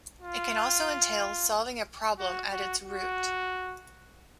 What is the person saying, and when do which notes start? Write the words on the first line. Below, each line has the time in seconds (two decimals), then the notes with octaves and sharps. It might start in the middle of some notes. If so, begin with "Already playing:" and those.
It can also entail solving a problem at its root.
0.21 F4
2.19 F#4
2.52 F#4
2.84 F#4